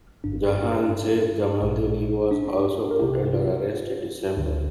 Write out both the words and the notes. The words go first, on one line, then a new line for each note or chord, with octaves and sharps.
Jahanzeb Jamaldini was also put under arrest in December.
G1 G2 D3 D4
A#1 A#2
D4
D4
G4
A#4
C2 C3 G4
F4
D2 D3